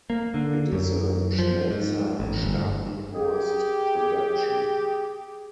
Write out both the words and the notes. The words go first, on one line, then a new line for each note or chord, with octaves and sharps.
It is a Schmelzer-Stapenhorst production.
A#3
D3
F#2
F3
G#2
A1
G1
G4 G#4